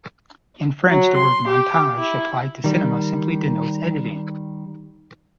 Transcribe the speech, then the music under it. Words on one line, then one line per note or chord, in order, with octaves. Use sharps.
In French the word "montage" applied to cinema simply denotes editing.
F#3
C6
G4
E4
D#3 G3